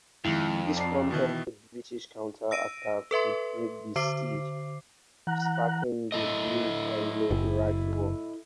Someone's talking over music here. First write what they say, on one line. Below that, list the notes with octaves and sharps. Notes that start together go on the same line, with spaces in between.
This prompted a British counter-attack to break the siege, sparking the brief Anglo-Iraqi War.
F2 D#3 G#3 E4
D5 A5 A#5 C7
B2 D#3 E3
E6 A#6 D7 D#7
A4 B4 E5 C6
D3 C5 D6 C7
E3 F#5 A#5 F#6
E4 A4 D#5
F#1